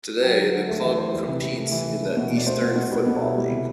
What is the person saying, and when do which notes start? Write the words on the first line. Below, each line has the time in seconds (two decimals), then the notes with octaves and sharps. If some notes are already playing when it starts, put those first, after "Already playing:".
Today the club competes in the Eastern Football League.
0.23 F#3 G5
0.38 D3
0.53 D3
0.68 A3
0.83 E3 E5
0.97 E3 C5
1.12 G3 B4
1.27 C3
1.42 C3
1.57 A3
1.72 E3
1.87 E3
2.03 A3
2.17 B2
2.32 B2 D5
2.46 A3 C5
2.62 B2
2.76 B2
2.91 G3 B4
3.00 A4
3.07 B2 B4
3.22 E4
3.37 G3
3.51 C3